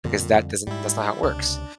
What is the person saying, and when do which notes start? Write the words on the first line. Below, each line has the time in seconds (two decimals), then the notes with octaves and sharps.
because that doesn't that's not how it works.
0.04 F2 A#2 D3 G3
0.67 G#2 G3 E4
1.23 C#2 C3 D4